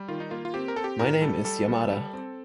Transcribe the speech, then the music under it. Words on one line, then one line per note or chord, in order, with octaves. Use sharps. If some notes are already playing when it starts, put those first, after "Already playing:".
My name is Yamada.
Already playing: G3
D#3 F4
D#4
A#3 F4
F4
C4 G4
A#4
C4 A4
G4
A2 A#4
G3 A4
G3 A4
G3
G3
C4